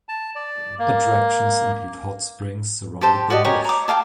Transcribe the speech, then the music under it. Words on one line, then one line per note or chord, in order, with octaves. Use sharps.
Attractions include hot springs surrounded by bush.
A5
D5
A#3
G4 A4 C5 A5
F#4 G4 D5 D#5
G4 A#4 C#5 G#5
A#5 D6
A4 F5 G5 A5